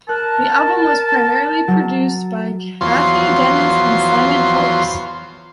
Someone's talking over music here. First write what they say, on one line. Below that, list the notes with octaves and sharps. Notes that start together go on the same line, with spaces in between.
The album was primarily produced by Cathy Dennis and Simon Ellis.
A#4 A5 F#6
F#3
E2 F3 F#3 F4 C6